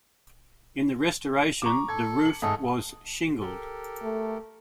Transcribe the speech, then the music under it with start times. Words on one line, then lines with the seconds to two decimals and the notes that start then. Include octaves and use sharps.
In the restoration, the roof was shingled.
1.62 A#5 C#6 D6
1.88 A4 G#6
2.25 C#7 F#7
2.42 G#2 G#3 A3 G#4 A4
3.41 G4 A4 A#4
4.02 A3